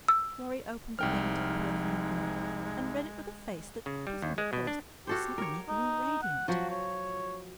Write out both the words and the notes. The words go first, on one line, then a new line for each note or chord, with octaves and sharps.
Florrie opened the dainty, perfumed note and read it with a face that, puzzled at first, suddenly grew radiant.
E6
C2 F3 G#3 D#4 G5 F6
C#3
G3
D#2
G#3
B2
D4
F#4 G4 A4 C5
A#4 C#5
D#4
F#5
F3 F#3 F#4
C#5